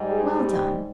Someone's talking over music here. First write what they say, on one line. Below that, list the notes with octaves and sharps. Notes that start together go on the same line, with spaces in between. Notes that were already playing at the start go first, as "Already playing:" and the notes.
Well done.
Already playing: G#2 G3
G#4
G4